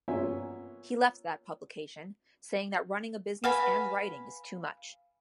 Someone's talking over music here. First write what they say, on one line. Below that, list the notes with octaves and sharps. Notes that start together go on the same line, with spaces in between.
He left that publication, saying that Running a business and writing is too much.
A#3 B3 C#4 F4 E5 G#5
B4 F5 F#5 G#5 B5